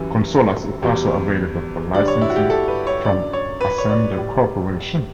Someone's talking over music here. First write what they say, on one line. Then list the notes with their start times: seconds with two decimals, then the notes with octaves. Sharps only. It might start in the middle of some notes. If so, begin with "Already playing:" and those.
Consolas is also available for licensing from Ascender Corporation.
Already playing: F#2 E3 G3
0.82 E2 B2 G3
1.94 G2 D3 G3 D5
2.08 C#5
2.21 E4
2.30 F#4
2.36 G4
2.50 A4
2.68 B4
2.87 C#5
3.05 F#2 D3 F#3 D5
3.33 C#5
3.61 B4
3.78 C#5
3.89 D5
4.16 A2 G3